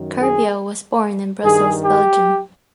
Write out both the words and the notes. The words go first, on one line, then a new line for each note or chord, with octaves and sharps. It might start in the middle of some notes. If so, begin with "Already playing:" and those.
Corbiau was born in Brussels, Belgium.
Already playing: F#2 D#3
G#4
G2 D#3 G#4
G4